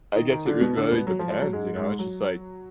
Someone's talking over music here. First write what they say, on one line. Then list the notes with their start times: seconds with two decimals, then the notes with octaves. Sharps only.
I guess it r really depends, you know? It's just like,
0.15 D#3 D#4
0.31 D#3 D#4
0.46 D3 D4
0.61 B2 B3
0.77 D3 D4
0.92 B2 B3
1.07 F#3
1.19 F3
1.30 F3
1.41 F#3
1.53 G#2 G#3
1.76 G#2 G#3
1.99 F#3